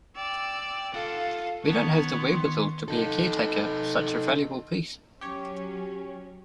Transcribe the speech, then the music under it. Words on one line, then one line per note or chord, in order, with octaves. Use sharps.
We don't have the wherewithal to be a caretaker of such a valuable piece.
D5 G5 E6
F4 A4 F5 F#5
D#3 B3 C#5 A5
C6
D#4 A4
F#3 C#4 G4 C#5